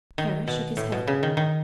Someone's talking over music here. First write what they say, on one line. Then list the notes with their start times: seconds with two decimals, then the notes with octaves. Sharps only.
Kara shook his head.
0.18 D#3
0.48 B2
0.77 A2
0.92 B2
1.08 C#3
1.23 D#3
1.37 D#3